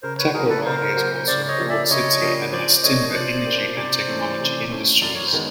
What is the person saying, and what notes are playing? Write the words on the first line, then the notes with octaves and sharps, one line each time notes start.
Takoradi is also a port city and has timber, energy, and technology industries.
C#3 A#4 C5
B4 C#5
F#3 A#3 G#4 A#4
A4 B4
C#3 A#4 C5
F#3 A#3
C#3 C5 D5
C#5 D#5
F3 A#3 D4 G4
D5 E5
C#3 C#5 D#5
F3 A#3 D4 G4
F3 C5 D5
A#3 D4 G4 C#5 D#5
D#5
F3 C5 D5
A#3 D4 G4
C3 C5 D5
E3 A3 C#4
C3
E3 A3 C#4
F#2 D5
C#5
C5
D#3 G#3 B3